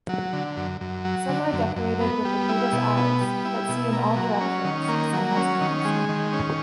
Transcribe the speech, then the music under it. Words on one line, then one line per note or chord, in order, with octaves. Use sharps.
Some are decorated with the Buddha's eyes that see in all directions simultaneously.
F#3
D3
F#2
F#2
F#3
D3
F#2
F#2
B3
G3
E4
B2
B3
G3
E4
B2
A#3
F#3
C#4
D#3
A#3
F#3
C#4
D#3
G#3
D#3
C#4